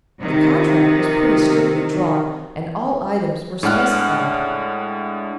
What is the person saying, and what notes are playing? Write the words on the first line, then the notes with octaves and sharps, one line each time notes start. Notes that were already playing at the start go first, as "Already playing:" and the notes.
The contract was pretty strictly drawn and all items were specified.
C3 D#3
A2 G#3 D4 F#5 F6 F#6